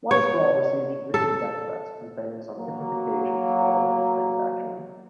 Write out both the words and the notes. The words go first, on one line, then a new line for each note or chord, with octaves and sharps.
Weisbrod received written death threats from fans on different occasions following this transaction.
C#5
A4
F#3 A#3